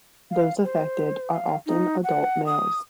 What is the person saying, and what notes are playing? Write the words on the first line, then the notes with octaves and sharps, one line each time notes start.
Those affected are often adult males.
F5
C5
F5
D#4
F#5
D#6